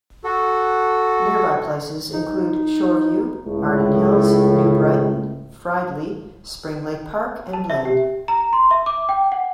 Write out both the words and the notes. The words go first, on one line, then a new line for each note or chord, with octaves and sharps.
Nearby places include Shoreview, Arden Hills, New Brighton, Fridley, Spring Lake Park, and Blaine.
F#4 A4
D#4
C#2 A2
A5
E5
G4
A#5
C6
E5
D6
G5
F#5